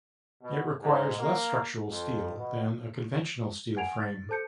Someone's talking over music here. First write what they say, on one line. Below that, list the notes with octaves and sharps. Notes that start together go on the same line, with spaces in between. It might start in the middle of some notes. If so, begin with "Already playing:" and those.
It requires less structural steel than a conventional steel frame.
B2
G#2
A#3
F2
B2
F#5 G#5 G#6 D7 F7
A6
A4 C5 A5 G6 C#7